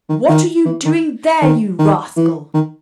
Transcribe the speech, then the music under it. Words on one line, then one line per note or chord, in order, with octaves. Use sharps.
"What are you doing there, you rascal?"
D#3
D#3
E3
D#3
D#3
D#3
E3
D#3